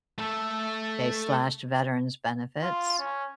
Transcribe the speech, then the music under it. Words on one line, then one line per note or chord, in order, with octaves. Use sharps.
they slashed veterans benefits.
A3 A4
F4
C#4